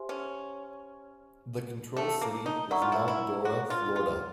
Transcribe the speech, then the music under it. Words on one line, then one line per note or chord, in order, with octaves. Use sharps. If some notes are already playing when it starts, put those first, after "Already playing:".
The control city is Mount Dora, Florida.
Already playing: G4 C5 E5 G#5 C6
C#4
A3
A#3
D#4
E4 A#4 D5 F#5 A#5 C#6
F4
E4
E4
F#4
F4
F4